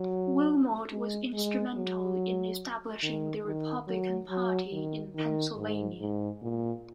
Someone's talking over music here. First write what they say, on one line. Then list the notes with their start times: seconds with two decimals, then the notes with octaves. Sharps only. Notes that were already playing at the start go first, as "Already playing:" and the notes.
Wilmot was instrumental in establishing the Republican Party in Pennsylvania.
Already playing: F#3
0.91 G#3
1.33 G#3
1.76 F#3
3.03 D#3
3.45 D#3
3.88 F#3
4.30 F#3
4.72 D#3
5.15 D#3
5.57 G#2
6.00 G#2
6.42 A#2